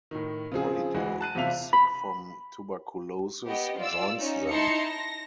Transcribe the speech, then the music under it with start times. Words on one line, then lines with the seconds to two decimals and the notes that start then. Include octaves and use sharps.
Holliday, who is sick from tuberculosis, joins them.
0.11 A2 D#3
0.51 C#3 F3 C4 G#4
0.94 D2 E3 G#3 F#4
1.21 A5 F#6 D#7
1.35 E2 C3 F4 E5 F5 F7
1.73 B5
3.45 B3 G4 D#5
3.79 F4 D5 E6
4.18 C#4 D#4
4.48 D#4 E4 A5 A#5 C6 C#7
4.85 A#6